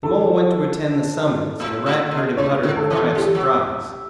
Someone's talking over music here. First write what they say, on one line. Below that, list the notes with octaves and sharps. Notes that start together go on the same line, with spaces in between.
The Mole went to attend the summons, and the Rat heard him utter a cry of surprise.
A4
A2
A2
B2
C#3 C#5
D3
A4
E3
E3 G4
F#3